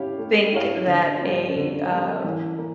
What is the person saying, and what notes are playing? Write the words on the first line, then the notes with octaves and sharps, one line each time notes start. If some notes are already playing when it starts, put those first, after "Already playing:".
think that a, uh,
Already playing: E4 G4 C#5 F5
A3
E4 G4 C#5 F5
D3
G3 A#3 C#4
D3
G3 A#3 C#4
E3
A#3